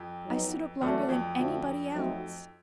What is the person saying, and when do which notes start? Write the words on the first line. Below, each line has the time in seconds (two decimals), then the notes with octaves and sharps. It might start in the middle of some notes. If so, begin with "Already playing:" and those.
"I stood up longer than anybody else."
Already playing: F2
0.25 F#3 B3 D#4
0.81 E2 F#3 A3 D4 F#4
1.09 F2
1.37 D3 F3 A3 D4 F#4
1.92 F#3 A3 C4 D#4 F#4